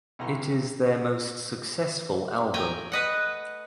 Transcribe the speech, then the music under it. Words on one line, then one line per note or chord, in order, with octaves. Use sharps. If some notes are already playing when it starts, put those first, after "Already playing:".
It is their most successful album.
B1 B2 E3 F#5 A#5 C6
G#1 C3
A3 G5 G#5 A#5
B4 D#5 F#5